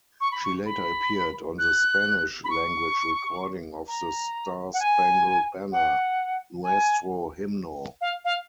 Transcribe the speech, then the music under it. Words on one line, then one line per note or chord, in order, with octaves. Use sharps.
She later appeared on the Spanish-language recording of the Star-Spangled Banner, "Nuestro Himno".
C#6
B5
C#6
B5
F#6
B5
C#6
A#5
F#5
G#5
F#5
G#5
F5
F5